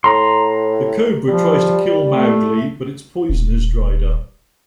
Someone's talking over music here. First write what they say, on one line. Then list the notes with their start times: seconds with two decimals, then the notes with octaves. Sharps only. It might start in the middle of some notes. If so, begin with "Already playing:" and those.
The cobra tries to kill Mowgli but its poison has dried up.
0.04 A2 A#5 C6
1.28 F3 G3
2.09 A3
3.30 D#1